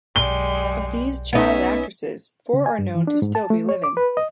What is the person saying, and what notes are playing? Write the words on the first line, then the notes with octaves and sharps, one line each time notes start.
Of these child actresses, four are known to still be living.
B1 F#2 G3 G#3 G7
B3 C#4 D#4 D#5 E5
C#3
G#5
G2
E3
D4
G#2
A5
A3
C#5
D6
B4
D#5